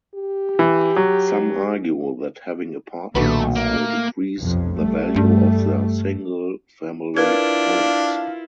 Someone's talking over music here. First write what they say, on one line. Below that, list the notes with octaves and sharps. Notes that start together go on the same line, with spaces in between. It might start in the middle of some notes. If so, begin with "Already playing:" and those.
Some argue that having apartments will decrease the value of their single family homes.
G4
E3
F#3
B1 A#2 D#3 A3 D4 F#4 B4
A3 A#3
B1 F2 C3
G3 A3
G2
D4 E4 F4 A#4 B4 F5 G#6